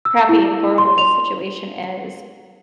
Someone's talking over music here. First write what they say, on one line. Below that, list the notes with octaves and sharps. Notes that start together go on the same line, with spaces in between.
crappy and horrible this situation is,
E6
E4
C6
F7